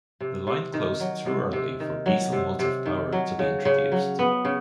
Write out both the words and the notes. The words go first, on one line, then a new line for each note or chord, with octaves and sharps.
The line closed too early for diesel motive power to be introduced.
C3
C3
D#3
F#3
C3
C3
D#3
F#3
C3
C3
D#3
F#3
C#3
C#3
F#3
B3
C#3